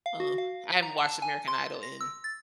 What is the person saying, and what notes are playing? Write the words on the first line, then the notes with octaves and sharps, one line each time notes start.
Uh, I haven't watched American Idol in,
F5
F#4
F5
A#5
A5
G#5
C6
A#6
E6
A6